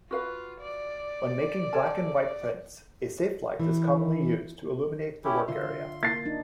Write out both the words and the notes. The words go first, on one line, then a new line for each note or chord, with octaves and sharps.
When making black-and-white prints, a safelight is commonly used to illuminate the work area.
F4 F#4 B4 F5
D5
A4 G#5 A5
E3
C#4 E4 G4
D3 F4 E5 C6
A#3 A6 C7
D4 D#4